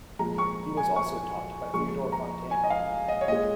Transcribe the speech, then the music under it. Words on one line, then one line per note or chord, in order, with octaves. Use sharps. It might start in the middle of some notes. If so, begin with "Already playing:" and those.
He was also taught by Theodor Fontane.
A#2 F3 G#3 A#5
C#6
G#5
C#6
A#2 F3 G#3 C#6
A#5
G#5
D#5
F5
D#5
C#5
A#2 G#3 D#5